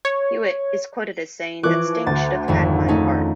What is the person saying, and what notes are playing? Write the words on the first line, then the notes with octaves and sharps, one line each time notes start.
Hewitt is quoted as saying that Sting should have had my part.
C#5
E3 F3 C#6 D6 F#6
D2 A6
G#1 F2
A3 C#4 D#4